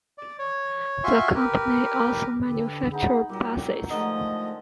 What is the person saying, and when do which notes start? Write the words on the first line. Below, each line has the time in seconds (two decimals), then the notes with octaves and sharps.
The company also manufactured buses.
0.18 D5
0.39 C#5
1.04 F4 F#4 E5 G#5 C6 C#6
1.35 G4 A#4 B4
2.44 D3 G4 A4 B4
2.92 B3 D#4 G#4 B5
3.29 A#2 F#3 G3 G4
3.91 D3 D#3 F3 G#3 A3 D#5